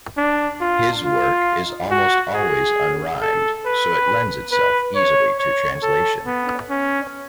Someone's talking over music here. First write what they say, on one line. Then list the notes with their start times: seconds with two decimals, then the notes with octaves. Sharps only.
His work is almost always unrhymed, so lends itself easily to translation.
0.17 D4
0.60 F4
1.04 F4
1.91 F#4
2.34 G#4
3.22 A4
3.65 B4
4.52 B4
4.95 C#5
5.39 C#5
5.82 A4
6.26 B3
6.70 C#4